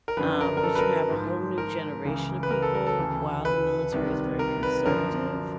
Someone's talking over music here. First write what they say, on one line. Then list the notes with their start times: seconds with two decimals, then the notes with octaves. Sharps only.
um, but you have a whole new generation of people while the military is very conservative,
0.08 A#4
0.17 F#2 D3 F3 B4
0.41 A#4
0.57 A#4
0.63 A4
0.75 B4
0.79 A#4
1.10 G#2 F3
1.58 A#4
2.05 C#2 C#3 E3
2.43 B4
2.51 A#4
2.62 A4
2.75 A#4
2.87 A4
2.99 D2 C#3 E3
3.45 B4
3.92 C2 C3 D#3
4.39 A#4
4.63 B4
4.86 F#2 D3 F3 A#4